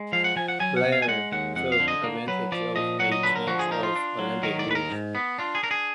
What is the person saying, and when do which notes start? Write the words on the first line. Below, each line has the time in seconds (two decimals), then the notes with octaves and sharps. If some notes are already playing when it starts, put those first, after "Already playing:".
Blair took advantage of a change of Olympic rules.
Already playing: G#3
0.12 F3 F5
0.24 F#5
0.36 F3 G#5
0.48 F#5
0.60 F#3 G#5
0.77 F#5
0.84 B2
0.92 F5
1.02 G#5
1.08 G#3 F#5
1.32 D#2 F#5
1.56 F2 F#5
1.72 F5
1.80 D3
1.88 D#5
2.04 A#3
2.28 F#3 B4
2.52 F3 D5
2.76 A#2 D#5
2.99 F#3 F#5
3.12 D#5
3.23 D3 B4
3.36 A#4
3.47 F3 F#4
3.59 G#4
3.71 D#4 A#4
3.83 F4
3.96 D4
4.19 F#3
4.43 D#3 A#4
4.59 D5
4.67 D#2 B4
4.75 A#4
4.91 G#2
5.15 B3
5.38 D4 F4
5.55 G#4
5.63 D4 A#4
5.71 G#4